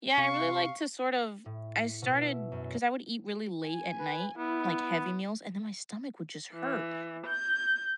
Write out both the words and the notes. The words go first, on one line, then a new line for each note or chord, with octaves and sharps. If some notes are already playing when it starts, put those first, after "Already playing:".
Yeah, I really like to sort of I started 'cause I would eat really late at night, like, heavy meals, and then my stomach would just hurt,
C3 F5 C#6
A2
C#7
B2
E4
F#2
G#5
B4
B3 E4
E3
G6